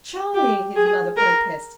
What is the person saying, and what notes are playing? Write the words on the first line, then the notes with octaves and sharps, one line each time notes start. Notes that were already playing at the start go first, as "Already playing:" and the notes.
"Charlie!" his mother protested.
G4
G#4
A#4